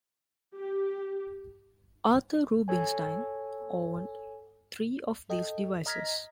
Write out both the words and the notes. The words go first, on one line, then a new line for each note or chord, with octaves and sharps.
Arthur Rubinstein owned three of these devices.
G4
A4 C#5 G#5
A4 D#5 G5
D#5 A#5 F6 G#6 A#6 B6